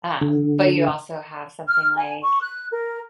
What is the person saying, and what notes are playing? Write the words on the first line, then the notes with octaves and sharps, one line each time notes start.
um, but you also have something like
D3
F6
G#5
C#6
F#6
A#4